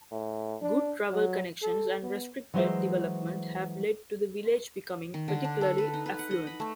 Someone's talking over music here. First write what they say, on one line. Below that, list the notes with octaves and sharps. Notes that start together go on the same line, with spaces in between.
Good travel connections and restricted development have led to the village becoming particularly affluent.
A2
D4
F#3
A4
B3
E3 F#3 G#3 C5 D#5 E5
D#3
D3
D4
A4
B4
D#4
B4
F#5
D#5
B5
A3